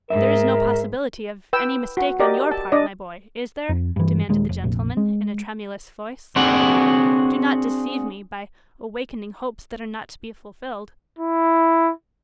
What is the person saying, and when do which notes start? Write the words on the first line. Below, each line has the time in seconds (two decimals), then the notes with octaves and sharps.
There is no possibility of any mistake on your part, my boy, is there?' demanded the gentleman in a tremulous voice. 'Do not deceive me, by awakening hopes that are not to be fulfilled.'
0.10 G#2 A#4 E5
1.53 B4 G5 E6
1.97 F#4
2.20 G4 A#4 D5 D#5
2.51 A5
2.72 D4 D5 D#5
3.69 F2
3.96 G2 E3
4.29 D#1 D#2 G#3
4.49 F1
4.64 F1 A#1
4.97 G#3
6.36 C4 D4 F#4 G#4 F#5
11.18 E4